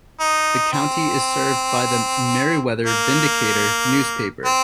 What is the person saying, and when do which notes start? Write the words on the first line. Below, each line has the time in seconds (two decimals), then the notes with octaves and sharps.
The county is served by the "Meriwether Vindicator" newspaper.
0.20 D#4
0.73 C4
2.86 A#3
4.45 C4